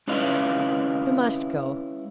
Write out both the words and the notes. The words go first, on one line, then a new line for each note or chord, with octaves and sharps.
You must go.'
G#3 C#4 E4 B4 D#5 F5